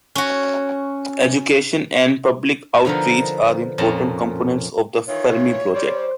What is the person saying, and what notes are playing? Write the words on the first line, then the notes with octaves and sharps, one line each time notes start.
Education and public outreach are important components of the Fermi project.
C#4 F#4
D3 F3 B3 D#4 A#4
F2 A#2 C#4 A5 A#5
D#3 E3 F4 C#5
G3 C#4 C5 D5